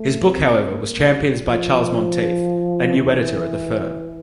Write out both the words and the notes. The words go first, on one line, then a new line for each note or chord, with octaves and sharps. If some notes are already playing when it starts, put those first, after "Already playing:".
His book however was championed by Charles Monteith, a new editor at the firm.
Already playing: A3
C4
A#3
G3
F3
E3